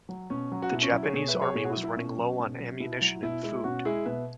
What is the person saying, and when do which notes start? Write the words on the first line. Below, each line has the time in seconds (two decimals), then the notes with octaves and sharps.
The Japanese Army was running low on ammunition and food.
0.09 F#3
0.30 B2 C#4
0.52 F#3
0.62 F#4
0.72 B2 E4
0.83 C#4
0.92 F#3 E4
1.03 G#4 C#5
1.13 B2 G#4 C#5
1.28 B4 E5
1.34 F#3
1.41 G#4 C#5
1.55 B2 G#4 C#5
1.64 F#4
1.70 E4
1.77 F#3
1.84 E4
1.97 B2 C#4
2.18 F#3
2.40 B2
2.60 F#3
2.80 B2 E4
3.01 F#3
3.23 B2 E4
3.43 G#3 E4
3.64 B2 C#4 F#4
3.85 G#3 E4 G#4
4.06 B2 B4 E5